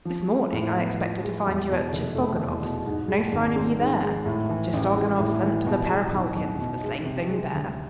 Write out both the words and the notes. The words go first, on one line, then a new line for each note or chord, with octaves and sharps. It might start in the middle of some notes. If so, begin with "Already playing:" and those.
This morning I expected to find you at Tchistoganov's--no sign of you there. Tchistoganov sent to the Perepalkins'--the same thing there.
F3
G#3
A2
B3
F3
G#3
E2
B2
F1
A3
E2
B2
G#2
G#3
G#1
C4
G#2
G#3
A2
E3
A1
G#3
A2
E3
B2
G#3
B1
B1
B2
G#3
C3
G#3
D2